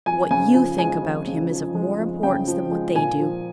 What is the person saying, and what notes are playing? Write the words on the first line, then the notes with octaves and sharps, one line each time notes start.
What you think about him is of more importance than what they do.
F2 G#5
C#3 G#5
F3 G#5
G#3 G#5
F2
C#3
F3
G#3
F2
C#3 G5
F3
G#3
A#2 G#5
F3